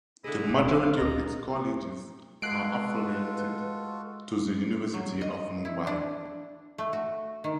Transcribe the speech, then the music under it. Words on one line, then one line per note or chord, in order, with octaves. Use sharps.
The majority of its colleges are affiliated to the University of Mumbai.
D3 E4 G#4 D#5
D#1 B2 G4
F#3 C4 F5
D2 A#2 D#5 A#5
G#3 F4 F#4 A4 B4 F#6 C7 D7
F#3
D#5
E4
D4
A3
F#4
D#3